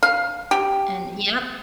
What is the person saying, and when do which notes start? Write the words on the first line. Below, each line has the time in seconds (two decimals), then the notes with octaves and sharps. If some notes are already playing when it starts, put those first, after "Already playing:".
And Yep.
0.03 F5
0.51 G4